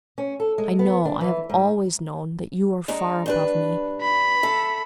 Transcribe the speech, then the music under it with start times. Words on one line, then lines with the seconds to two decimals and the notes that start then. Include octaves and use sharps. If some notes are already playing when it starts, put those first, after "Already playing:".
I know--I have always known--that you are far above me.
0.18 C#4
0.40 A4
0.58 G#3
0.79 B3
1.05 D4
1.21 E3
1.50 G#2
2.88 G#3 D4 D#4
3.26 G2 D4 B4
4.01 B5
4.43 A4 E5